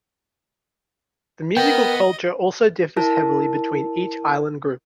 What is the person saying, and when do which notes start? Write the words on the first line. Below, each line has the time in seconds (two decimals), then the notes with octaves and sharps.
The musical culture also differs heavily between each island group.
1.57 B3 A#4 D#5 G5
2.97 E4 A#4 A5